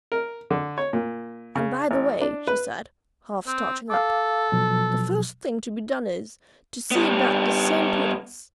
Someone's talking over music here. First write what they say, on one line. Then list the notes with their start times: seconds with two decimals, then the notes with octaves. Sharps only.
And by the way," she said, half starting up, "the first thing to be done is, to see about this same Prudence.
0.12 A#4
0.51 D3
0.78 C#5
0.93 A#2
1.55 C#3
1.91 A1
2.21 D4
2.47 B4
3.47 C4
3.90 A4 F5 D6
4.52 B2 F3 F#3
6.91 G3 B3